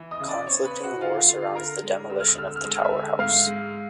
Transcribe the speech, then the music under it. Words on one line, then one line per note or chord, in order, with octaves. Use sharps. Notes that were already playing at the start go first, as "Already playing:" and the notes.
Conflicting lore surrounds the demolition of the tower house.
Already playing: E3
D#5 D#6
C#3
D5 D6
C4 C#5 C#6
B4 B5
C4
F#4 F#5
D3 F4 F5
D3 F4 F5
D3 A#4 A#5
G#3
D3 E6
F6
E6
D3 F6
E6
F6
G#3 E6
F6
E5 E6
D3
G#2 F5 F6
G#3